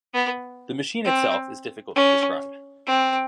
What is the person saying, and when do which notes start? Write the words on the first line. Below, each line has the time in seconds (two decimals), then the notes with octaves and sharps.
The machine itself is difficult to describe.
0.14 B3
1.05 C4
1.96 C#4
2.87 C4